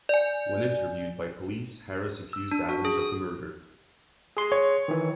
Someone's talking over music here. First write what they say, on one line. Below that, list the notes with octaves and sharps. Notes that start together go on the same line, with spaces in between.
When interviewed by police, Harris accused Adams of the murder.
D5 G#5
E6
D4
F#4
G#4
D#6
G#4 C6
C#5
D#3 E3